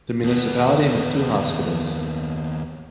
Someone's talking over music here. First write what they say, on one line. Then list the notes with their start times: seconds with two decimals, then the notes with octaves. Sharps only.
The municipality has two hospitals.
0.24 D#2 B3